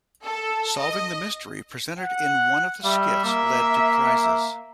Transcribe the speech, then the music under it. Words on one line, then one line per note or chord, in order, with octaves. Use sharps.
Solving the mystery presented in one of the skits led to prizes.
A4
D#5
F#5
G3 E5
A#3